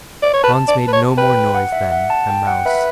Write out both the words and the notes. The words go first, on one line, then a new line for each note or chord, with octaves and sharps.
Hans made no more noise than a mouse.
D5
C#5
B4 A5
D5
B4
C#5
B4 G5
F#5
E5
F#5
A5
G5
F#5
B4 E5